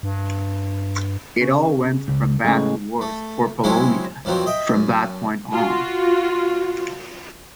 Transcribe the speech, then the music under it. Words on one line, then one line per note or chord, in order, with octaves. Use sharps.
It all went from bad to worse for Polonia from that point on.
G2
C#3
C#2
A2 C#3 G#3
A3
F#3 G#3 C4 C#4 E4
E2 D#3 F3 F#3 C4
D#5 E5 G5
F#2
F4 F#4